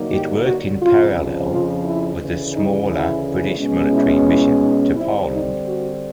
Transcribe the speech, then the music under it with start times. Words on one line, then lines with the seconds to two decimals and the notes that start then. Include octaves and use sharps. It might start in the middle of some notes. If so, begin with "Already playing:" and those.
It worked in parallel with the smaller British Military Mission to Poland.
Already playing: D3 F#3 A#3 D#4
0.11 G4
0.45 F#4
0.80 F2 C#3 F3 F4
1.49 F4
1.84 E4
2.18 D2 C#3 E3
2.54 D#4
2.88 E4
3.57 B2 G#3 C#4
3.92 E4
4.26 E4
4.61 D#4
4.95 D3 G3 C4 E4
5.31 D#4
5.65 F#4